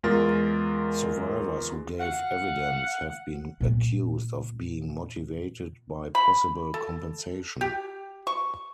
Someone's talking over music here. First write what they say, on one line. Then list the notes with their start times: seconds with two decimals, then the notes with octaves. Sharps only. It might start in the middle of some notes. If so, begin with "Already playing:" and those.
Survivors who gave evidence have been accused of being motivated by possible compensation.
0.03 E2 G#3 F4 A#4 A6
2.00 F5 F#5
3.61 A#2 B3
6.15 B5
6.74 A4
7.61 G4
8.27 C#6